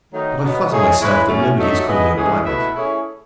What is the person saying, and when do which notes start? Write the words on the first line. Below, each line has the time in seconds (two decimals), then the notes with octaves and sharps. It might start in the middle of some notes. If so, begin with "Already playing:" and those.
But I flatter myself that nobody has called me a blackguard.
0.11 D#3 F#3 A3 D#4
0.41 B2 F#3 B3 D#4
0.70 A3 D#4 G#4 C#5
1.00 G#3 C#4 E4 B4
1.28 A2 F#3 A3 C#4
1.59 F#3 A3 D#4 A4 E5
1.88 B3 E4 G#4 D#5
2.17 A2 E3 G#3 C#4 G#4
2.45 B2 A3 E4 B4 E5
2.75 A3 C#4 E4 G#4